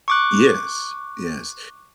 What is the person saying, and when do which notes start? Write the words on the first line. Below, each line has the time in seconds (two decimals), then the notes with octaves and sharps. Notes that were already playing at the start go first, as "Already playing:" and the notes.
Yes, yes,
0.08 C#6 D6 F#6